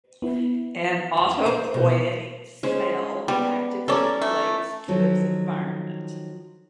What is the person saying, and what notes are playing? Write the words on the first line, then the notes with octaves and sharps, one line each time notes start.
An autopoietic cell actively relates to its environment.
B3 E4
E2
C5
B2
G#3 C#4 C5
G3 B3
C#4 A4 A#4 C#5 D5
A3
D#3 F3 F#3 A4